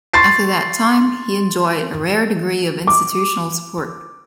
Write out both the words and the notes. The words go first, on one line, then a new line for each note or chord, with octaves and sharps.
After that time, he enjoyed a rare degree of institutional support.
C6 C#6 A6 C7
D6